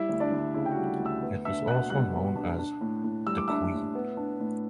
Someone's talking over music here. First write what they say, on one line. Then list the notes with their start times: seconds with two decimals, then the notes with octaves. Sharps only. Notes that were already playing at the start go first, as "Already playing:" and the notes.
It also was known as The Queen.
Already playing: G3 E4 E5
0.09 D2
0.20 D4 D5
0.32 D2
0.54 C#3 E4 E5
0.66 G5
0.71 F#4 F#5
0.77 G3
1.00 D2
1.05 E5 E6
1.22 B3
1.45 D4 E5 E6
1.68 B2 F#5 F#6
1.90 G3 F#5 F#6
2.13 B3
2.36 D4
2.59 D4
2.81 A2
3.04 A2
3.27 G3 E6
3.37 D6
3.48 D4 E5 E6
3.72 A2
3.95 B3
4.17 D4
4.40 A2